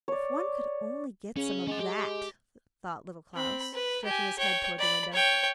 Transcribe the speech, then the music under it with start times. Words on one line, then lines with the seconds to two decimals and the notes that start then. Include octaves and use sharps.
'If one could only get some of that!' thought Little Klaus, stretching his head towards the window.
0.08 C#5 D5
1.37 C#3 C#4
1.67 G#3 C#4 F#5
1.80 G4
3.34 C4 B5
3.74 B4
4.05 G4 G#5
4.39 C#5 G5
4.78 D5 B5
5.13 C#5 G5